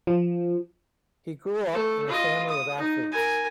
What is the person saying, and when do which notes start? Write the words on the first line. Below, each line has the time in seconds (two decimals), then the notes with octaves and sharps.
He grew up in a family of athletes.
0.07 F3
1.73 A3 A4
2.08 F4 D#5
2.49 D#6
2.78 D#4
3.12 A#4 G#5